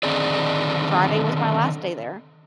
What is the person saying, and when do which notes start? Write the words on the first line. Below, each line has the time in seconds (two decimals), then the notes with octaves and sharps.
Friday was my last day there
0.03 D3 D#3 C4 D#4 G#4 D5